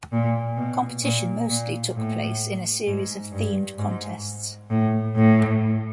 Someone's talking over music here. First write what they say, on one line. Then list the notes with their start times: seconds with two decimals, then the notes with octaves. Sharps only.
Competition mostly took place in a series of themed contests.
0.12 A#2
0.57 B2
1.04 A#2
1.49 A#2
1.95 A2
2.87 G#2
3.32 G2
3.78 G#2
4.70 A2
5.16 A2